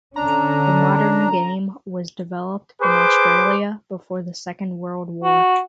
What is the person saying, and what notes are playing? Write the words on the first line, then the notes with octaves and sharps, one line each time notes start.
The modern game was developed in Australia before the Second World War.
D3 C#4 D4 A#5
G#4 B4 C5 D6
F#4